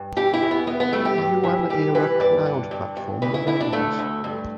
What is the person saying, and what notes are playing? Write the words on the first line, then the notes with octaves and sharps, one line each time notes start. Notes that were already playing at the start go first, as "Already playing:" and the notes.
The Yuan era Cloud Platform remains.
Already playing: G2
E3 G4
E4
E2
B3
E2 B3
B3
G3 A3
G4
G2
E3
G3 G4
E3 B4
G2 D5
D3
G2
G2
D2 B4
E4
D2 E4
D4
D3 A3
D2
G2